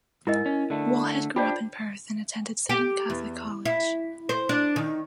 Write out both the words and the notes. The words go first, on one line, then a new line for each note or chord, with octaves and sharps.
Wallhead grew up in Perth and attended Seton Catholic College.
G#2 E4 A#4 D#5
C#4
D3 A3
D4 F4 G4 C5 D5
G4
E2
E4
C5
D4
D#3